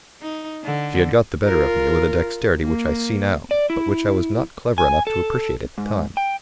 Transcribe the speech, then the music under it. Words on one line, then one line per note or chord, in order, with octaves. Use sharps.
She had got the better of me with a dexterity which I see now, but which I was not clever enough to appreciate at time.
D#4
D3
F4 A#4
A#3
D5
E4
G#5
A4
G#2
G5